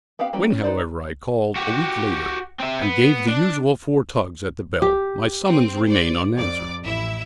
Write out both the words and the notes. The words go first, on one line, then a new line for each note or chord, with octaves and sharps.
When, however, I called a week later and gave the usual four tugs at the bell, my summons remained unanswered.
B3 C4 G4 F5
G3 A#3 C4 C#4 F#4
C#4
D#4 B4 C5 D5
F#4 G4
C4 E5
B3
D4
G4
C4
C5 D5
F2 D5 D6
A1 E4 E5